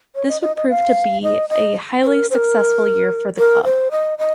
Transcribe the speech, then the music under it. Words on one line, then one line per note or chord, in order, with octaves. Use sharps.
This would prove to be a highly successful year for the club.
C#5
D#5
D#5
D#5
F5
D#5
D#5
C5
A#4
C5
A#4
A#4
C5
D#5
D#5